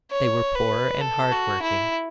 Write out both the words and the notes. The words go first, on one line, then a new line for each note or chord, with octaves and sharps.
They were poor and hard-working.
C#5
B4
A4
F#4
E4